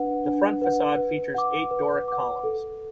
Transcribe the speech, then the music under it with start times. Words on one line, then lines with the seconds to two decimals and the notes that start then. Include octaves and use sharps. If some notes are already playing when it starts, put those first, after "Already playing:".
The front facade features eight Doric columns.
Already playing: D4 B4 F#5
0.25 D4
0.61 B4 F#5
0.98 B4
1.34 F#5 D6
1.71 B4
2.08 F#5 D6
2.44 A4